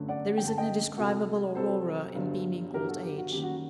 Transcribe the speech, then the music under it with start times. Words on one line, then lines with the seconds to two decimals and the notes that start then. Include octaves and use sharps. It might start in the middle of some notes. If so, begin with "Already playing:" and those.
There is an indescribable aurora in beaming old age.
Already playing: G1 F#2 D3 A3
0.08 D5 F#5
0.37 G1 F#2 D3 A3 G5
0.47 A5
0.58 D#5 G5
0.97 C2 C3 F#3 F#4 A4
1.55 C2 C3 F#3 A4 C5
2.15 G1 G2 D3 F#3
2.73 G1 G2 D3 F#3 G4 A#4
2.88 F#4 A4
3.03 G4
3.18 F#4
3.32 F#2 D#3 G3 A#3 G4
3.43 F#4